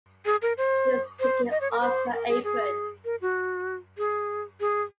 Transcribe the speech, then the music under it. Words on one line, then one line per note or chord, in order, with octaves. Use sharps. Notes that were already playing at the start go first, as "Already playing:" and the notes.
She’s taking off her apron.
G#4
A#4
C5
C5
D#5
C#5
A#4
C5
A#4
G#4
G#4
A#4
F#4
G#4
G#4